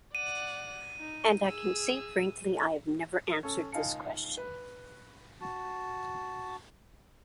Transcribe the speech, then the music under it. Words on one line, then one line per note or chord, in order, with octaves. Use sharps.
And I can say frankly, I have never answered this question.
D5 F#5 D#7
D#4
G#4 E6
C#4 A4
C#2 D#4 F5 G#5 A5 C#7
B4
F#4 A5